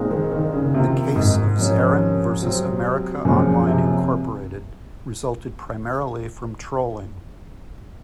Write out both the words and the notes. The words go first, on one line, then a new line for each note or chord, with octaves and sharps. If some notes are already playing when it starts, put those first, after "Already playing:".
The case of "Zeran versus America Online, Incorporated" resulted primarily from trolling.
Already playing: A#2 G#3 C4 D#4 A#4
D#3
D#3
C#3
C3 D#3 A#3 F4
G#2
C3 F3 A#3 C#4
C3 F#3 C4
F#2 A#2 F3 G#3 C4 F4
C3